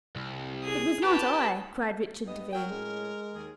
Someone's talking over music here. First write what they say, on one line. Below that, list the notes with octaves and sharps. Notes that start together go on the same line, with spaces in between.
"It was not I!" cried Richard Devine.
C2
G#4 D#6
G4 B4 A5
G2 B3 D#5
F#3 A#4 G5
A2 G#3 C#4
D#2 G#4